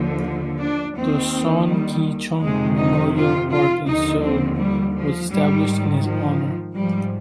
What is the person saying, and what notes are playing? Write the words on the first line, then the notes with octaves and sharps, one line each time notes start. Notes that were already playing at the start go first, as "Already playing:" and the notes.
The Sohn Kee-chung Memorial Park in Seoul was established in his honor.
Already playing: D#2 D3 F3
D4
D#2 D#3 C4
G3
F2 C3 D#3 G#3
D#4
F4
F4
D#2 D3 F3 D#4
C4
G3
F3
G#2 D#3 G3
F3
G#2 F3 G3